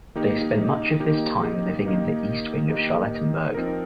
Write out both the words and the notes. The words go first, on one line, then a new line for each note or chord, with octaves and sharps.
They spent much of this time living in the east wing of Charlottenburg.
D#3 A#3 D#4 G4
D#3 A#3 D#4 G4
D#3 A#3 D#4 G4
D#3 A#3 D#4 G4
F3 C4 D#4 A#4